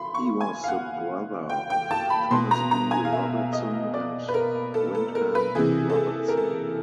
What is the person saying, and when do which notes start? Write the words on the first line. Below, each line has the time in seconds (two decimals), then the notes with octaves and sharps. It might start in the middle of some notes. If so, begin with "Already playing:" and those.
He was the brother of Thomas B. Robertson and Wyndham Robertson.
Already playing: B5 C6
0.14 C#6
0.41 G#5
0.64 F5
0.68 F#5
1.49 G5
1.70 G5
1.91 A5
2.10 B5
2.31 B2 C6
2.51 A#5
2.71 A#5
2.91 G#5
3.05 F5
3.12 E5
3.53 D#5
3.94 D5
4.28 B4
4.34 A#4
4.74 A4
4.95 A4
5.15 A#4
5.35 B4
5.55 C3 E3 G#4
5.90 A4
5.96 G#4
6.28 A#4
6.37 A4